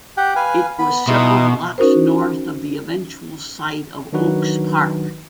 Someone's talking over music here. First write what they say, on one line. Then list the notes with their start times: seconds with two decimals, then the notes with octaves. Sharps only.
It was several blocks north of the eventual site of Oaks Park.
0.17 G4 F#5 G5
0.36 B4 F5 G#5
0.79 B3 B5
1.08 B2 D#4 E4 C6
1.78 C#4 D#4 F#4 A#4 C5
4.13 D#3 F#3 D4 D#4 F#4 B4